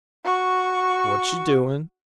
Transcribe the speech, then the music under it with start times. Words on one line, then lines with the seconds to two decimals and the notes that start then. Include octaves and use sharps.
"What you doin'?"
0.24 F#4 C#6